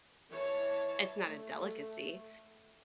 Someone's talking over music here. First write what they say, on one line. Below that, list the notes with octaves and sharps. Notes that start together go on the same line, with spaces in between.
it's not a delicacy.
E3 C#5 A5
A3